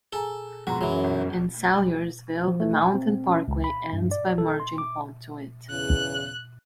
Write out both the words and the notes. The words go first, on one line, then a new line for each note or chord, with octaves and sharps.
In Salyersville, the Mountain Parkway ends by merging onto it.
G#4 A4 G#5 A#5 G7
F2 G#2 B2 F#4 G#4 A#5 C6
F#2 E3 F#3 G#3
G1 B2
F3
A3
G#5
C4
C#4
C#2
B5
G2
D5
A4
C6
D6
E2 C#3 F#6